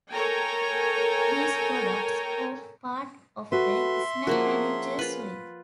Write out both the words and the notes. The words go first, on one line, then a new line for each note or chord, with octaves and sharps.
These products form part of the SnapManager suite.
A4 A#4 C#5 G5 G#5 A#5
F#4 A4 B4 E5 C6
F3 A#3 C#4 F#4 G#4 A#4
F4 B4